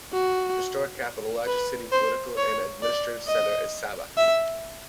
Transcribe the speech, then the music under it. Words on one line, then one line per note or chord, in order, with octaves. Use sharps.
The historic capital, largest city, political and administrative centre is Sabha.
F#4
B4
C5
C#5
D5
D#5
E5